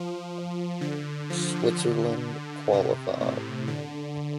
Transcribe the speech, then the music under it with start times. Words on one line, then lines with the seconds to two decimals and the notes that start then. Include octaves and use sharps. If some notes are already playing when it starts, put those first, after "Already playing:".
Switzerland qualified.
Already playing: F3
0.81 D3
1.30 F3
1.76 D3
2.73 C3
3.21 A2
3.68 D3